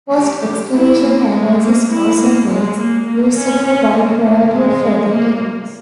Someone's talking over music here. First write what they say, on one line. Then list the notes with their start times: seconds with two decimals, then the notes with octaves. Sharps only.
Post-excavation analysis also makes use of a wide variety of further techniques.
0.16 G4
0.75 E4
1.04 A#3
1.33 G#3
1.63 A#3
1.92 E4
2.20 A#3
2.50 G#3
2.78 A#3
3.07 A#3
3.37 C#4
3.66 C#4
3.95 A#3
4.53 G#3
4.82 G#3
5.11 A#3